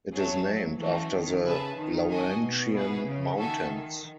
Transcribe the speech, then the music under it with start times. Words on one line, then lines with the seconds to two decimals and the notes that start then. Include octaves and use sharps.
It is named after the Laurentian Mountains.
0.15 F#3 G#4 C#5 E5 A5
0.48 F#3
0.79 E3 A3 C#4 F#4
1.12 D#3
1.44 C#3 G#4 B4 E5 A5
1.77 D#3
2.09 F#4 A4 D#5 G#5
2.42 B2
2.74 B3 E4 G#4 B4
3.06 C#3
3.38 D#3 F#4 A4 E5 G#5